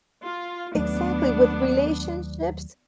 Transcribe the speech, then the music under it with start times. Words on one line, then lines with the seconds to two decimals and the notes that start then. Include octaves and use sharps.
Exactly with relationships.
0.20 F4
0.75 D#2 F#3 A3 B3 D4